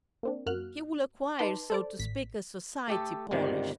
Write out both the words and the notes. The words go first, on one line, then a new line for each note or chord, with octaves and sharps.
He will acquire, so to speak, a society polish....
A#3 C4 D4
F#2 A#3 F#4 F6 F#6
D#4 B4 A5 C6 D6
A4 C5 D5
A1 B6
A3 G4 A4
G1 C#2 C3 D#3 G3